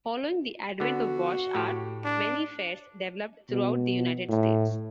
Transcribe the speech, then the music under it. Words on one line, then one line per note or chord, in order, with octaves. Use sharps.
Following the advent of Wash Art, many fairs developed throughout the United States.
D3 B3 F#4
A2 G4
D4
B2
A2